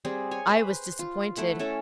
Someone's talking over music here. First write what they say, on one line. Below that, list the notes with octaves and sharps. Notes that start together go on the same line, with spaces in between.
I was disappointed.
G3 C4 G#4
C#5 G#5
B4 C5
F4
A3 E4 F#5
C#4 E4 A4